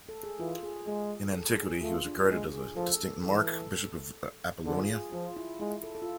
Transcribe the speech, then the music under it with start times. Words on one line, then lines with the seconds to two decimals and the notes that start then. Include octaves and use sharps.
In antiquity he was regarded as a distinct Mark, Bishop of Apollonia.
0.09 A4
0.23 G#4
0.39 E3 F4
0.63 G#4
0.86 G#3 G#4
1.34 A4
1.57 G#4
1.81 A3 F4
2.05 D4
2.29 G#3
2.52 G#4
2.76 F3 A4
3.23 E3 A4
3.47 A4
4.65 D3 G#4
4.77 F4
4.89 G#4
5.13 F3 F4
5.37 E4
5.60 G#3 E4
5.72 E4
5.83 A4
5.95 A4
6.02 F4